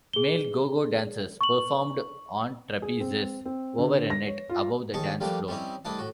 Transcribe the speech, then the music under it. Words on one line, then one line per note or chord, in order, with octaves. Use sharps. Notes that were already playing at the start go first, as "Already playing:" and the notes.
Male go-go dancers performed on trapezes over a net above the dance floor.
G#4 G7
C#6 F#7
G#4
C4
C4
D3
A#6
C#5
F4
D#2 G#4 D#5 A5 C#6
F3 G3 A3 A#3 D4
G3 C4 C#4 E4 D#5
C2 A3 D4 E4 D#5 A5
A2 F#4